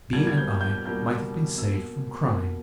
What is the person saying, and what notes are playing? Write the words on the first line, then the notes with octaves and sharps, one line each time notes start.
B. and I might have been saved from crime.
B2 G3 A#3 G#6
G#6
G6
G6
B2 G3 A#3 G6
B2 A#3 E6
B2 A#3